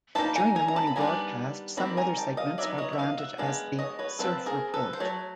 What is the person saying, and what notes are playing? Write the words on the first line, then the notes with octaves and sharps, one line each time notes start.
During the morning broadcast, some weather segments are branded as the "Surf Report".
F3 A#3 D#4 A5 B5
G#5 A#5
G#5 A#5
A#5
A5 B5
B5
D#3 G3 B3 D4 G#5 A#5
D#3 G3 C4 B5
G#5 A#5
G5 A5
D#5 F5
F#3 B3 D#4 D5 E5
C#5 D#5
E5
D#5 F5
E5 F#5
G#3 B3 D4 F5
C#5 D#5
B4 C#5
F3 G#3 C4 A4 B4
G#4 A#4
A4 B4
C5
F#3 A3 C#5